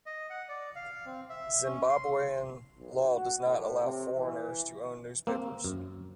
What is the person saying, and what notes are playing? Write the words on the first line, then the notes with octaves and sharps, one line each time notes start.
Zimbabwean law does not allow foreigners to own newspapers.
D#5
F#5
D5
F5
C4
E5
C#4
C6
B1
F#4
A2
C3
E3
A#3 C4
F#2